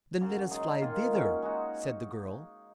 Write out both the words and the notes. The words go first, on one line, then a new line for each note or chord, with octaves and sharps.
"Then let us fly thither," said the girl.
F#2 C#3 F#3
G#3 D#4 G#4
D#3 A#3 F4 G#4
G#3 C#4 F#4
G#3 D#4 F#4